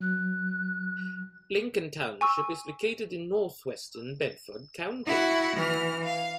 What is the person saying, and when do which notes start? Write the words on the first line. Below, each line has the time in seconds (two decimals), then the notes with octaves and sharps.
Lincoln Township is located in northwestern Bedford County.
0.01 F#3 F#6
2.21 G#5 C#6 E6
5.06 E4 F#4 F#5
5.56 E3 F6
6.04 F5